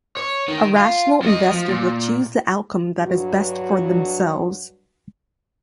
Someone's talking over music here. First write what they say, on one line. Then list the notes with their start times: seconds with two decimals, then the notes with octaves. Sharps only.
A rational investor will choose the outcome that is best for themselves.
0.17 C#5
0.48 D#3
0.76 F4
1.23 F2 D#5
1.52 F3
1.68 A#2
3.01 G2 F#3 F#4